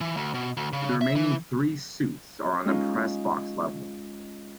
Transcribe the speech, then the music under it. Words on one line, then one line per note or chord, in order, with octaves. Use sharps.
The remaining three suites are on the Press Box level.
E3
D2
B2
D2
C#3
E5
E3
G#3 C#4 D#4 F4